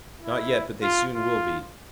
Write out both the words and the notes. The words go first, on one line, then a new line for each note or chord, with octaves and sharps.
"Not yet, but they soon will be."
E4
F4
F4